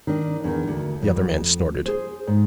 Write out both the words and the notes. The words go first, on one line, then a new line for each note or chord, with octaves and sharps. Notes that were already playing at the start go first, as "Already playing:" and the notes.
The other man snorted.
D#3 D4
E2 D#3
D2
F2
G#4 C5
G#2